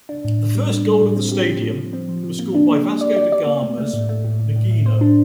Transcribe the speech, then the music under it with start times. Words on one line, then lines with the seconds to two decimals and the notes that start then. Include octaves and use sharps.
The first goal of the stadium was scored by Vasco da Gama's Niginho.
0.09 D4
0.25 A2
0.39 A2
0.55 G3
0.70 D4
0.86 G3
1.01 A2
1.16 C4
1.32 G4
1.47 F3
1.62 F3
1.78 F3
1.93 C4
2.09 F3
2.24 F3
2.39 A#3
2.55 D4
2.70 A#3
2.85 G4
3.01 D5
3.17 D5
3.32 D5
3.47 A#3
3.62 A3
3.78 A3
3.94 A2
4.09 A3
4.25 A2
4.40 A2
4.56 A2
4.71 A2
4.86 C5
5.01 D4